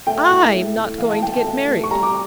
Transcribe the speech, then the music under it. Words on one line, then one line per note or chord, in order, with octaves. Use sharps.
I'm not going to get married.
A3 G5
A2
A3
A2
E3 F5
A5
E3 G5
A5
A3
A3
C#6
G3 A#5
D6